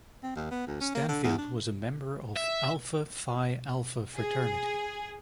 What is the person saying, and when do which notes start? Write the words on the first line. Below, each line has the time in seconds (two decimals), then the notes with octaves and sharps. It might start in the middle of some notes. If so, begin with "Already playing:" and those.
Stanfield was a member of Alpha Phi Alpha fraternity.
0.23 C4
0.36 D#2
0.51 B3
0.67 D2
0.81 C#4
0.95 A#3
1.08 D3
1.24 E2
1.38 D4
2.37 E5
4.17 G#4